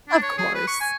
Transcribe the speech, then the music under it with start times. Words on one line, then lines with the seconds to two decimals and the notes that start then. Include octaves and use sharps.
Of course.
0.09 D4
0.22 C#5
0.38 G#4
0.55 B4
0.67 C#6
0.81 G#5